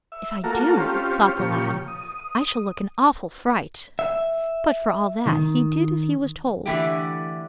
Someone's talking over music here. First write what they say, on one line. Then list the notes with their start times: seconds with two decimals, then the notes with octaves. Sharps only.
"If I do," thought the lad, "I shall look an awful fright;" but for all that, he did as he was told.
0.12 E5
0.44 A3 A#3 F4 F#4 A4 A#4
0.77 C4 C#4 F4 G4
1.39 A#2 C#3 F3 G4 C#6
1.88 D#6
3.99 E5
5.27 D#3
6.66 D3 E3 A3 E4 G4